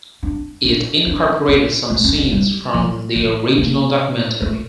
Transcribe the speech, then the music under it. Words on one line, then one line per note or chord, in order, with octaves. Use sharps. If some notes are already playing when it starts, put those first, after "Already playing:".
It incorporated some scenes from the original documentary.
D4
D4
D4
C#4
A3
C#4
D4
G3
F3
E3
A#3
A3